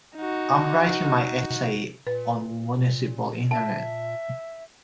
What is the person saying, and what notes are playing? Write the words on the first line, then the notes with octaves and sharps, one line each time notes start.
I'm writing my essay on municipal internet.
D#4 F#4
A#2 B4
E5 A5